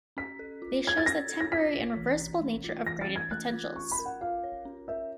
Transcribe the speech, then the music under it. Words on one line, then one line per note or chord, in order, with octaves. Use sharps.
This shows the temporary and reversible nature of graded potentials.
C#4 B6
A4
F4
C#5 G#6
A6
C#4 A#6
A4
A#6
F4 B6
C#5
E3
C#4
A3
F4
E3 A#6
A6
C#4
G#6
A3 F#6
F4
C#4 C#6
B5
A#4
F#5
F4 F5
C#5
C#4
A#4 E5